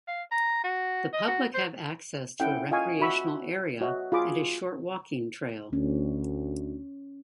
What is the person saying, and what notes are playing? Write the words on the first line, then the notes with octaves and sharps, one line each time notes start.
The public have access to a recreational area and a short walking trail.
F5
A#5
F#4
D#5
F#4
C5
C#4 E4 A4 F#5 G5
F4 D#5 F5 G#5 C#6
F#4 E5 B5 C#6 E6
F#4 C#5 D#5 E5
F4 G#4 B5 D6
D2 C#4